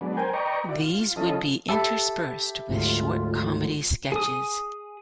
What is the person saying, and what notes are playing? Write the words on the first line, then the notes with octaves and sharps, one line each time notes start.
These would be interspersed with short comedy sketches.
F#3 G#3 B3 D4
A#4 C5 G5 G#5
B4 D5 D#5 G5 A#5 C#6
E4 F#4 D5
F4
F3 C#4 E4 F4 A4 D#5
G4 A4 E5 B5
D2 G#2 F4
G#4 D#6